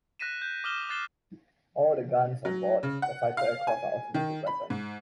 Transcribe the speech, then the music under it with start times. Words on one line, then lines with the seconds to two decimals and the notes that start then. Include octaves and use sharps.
All the guns on board the fighter aircraft are automatic weapons.
0.19 F#6 A#6 B6 D#7 E7
0.42 G6
0.64 D6 D#6 F6 E7 G7
0.89 D6 F#6 A6 C7 E7 G7
2.45 F#3
2.83 C#3
3.02 F#5
3.37 F5
3.67 G#5
4.14 D#3
4.47 B5
4.70 G#2